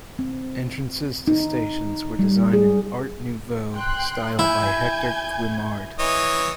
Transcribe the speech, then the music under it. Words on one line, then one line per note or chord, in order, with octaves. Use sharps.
Entrances to stations were designed in "art nouveau" style by Hector Guimard.
C4
D#4
G3
G#4
G5 C6 F#6
E4 G#5 G6 G#6
E3 C#5 D#5